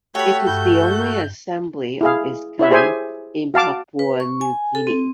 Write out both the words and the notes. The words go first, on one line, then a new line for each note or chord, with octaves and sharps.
It is the only Assembly of its kind in Papua New Guinea.
A3 F#4 G4 A4 C#5 G5 B5
G2 G6
E4 G#4 F5
E4 C#5 E5
G4 G#4 C5 E5 G#5
F#4 F5 A5 D6
B4
C#6
G#5
A4
C4